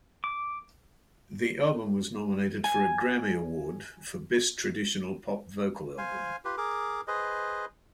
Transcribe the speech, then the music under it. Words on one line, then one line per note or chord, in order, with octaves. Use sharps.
The album was nominated for a Grammy Award for Best Traditional Pop Vocal Album.
D6
G#5
C5 F5 G#5
F4 G4 B4
G#4 A#4 D6
G#4 B4 C5 D#5